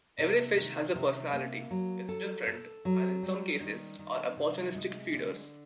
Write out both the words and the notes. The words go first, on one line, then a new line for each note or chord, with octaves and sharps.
Every fish has a personality, is different, and, in some cases, are opportunistic feeders.
C3
D#3
C3
A#3
F#3
A4
A4
F#3
G3
D#3
D#3
C3
G#3
D3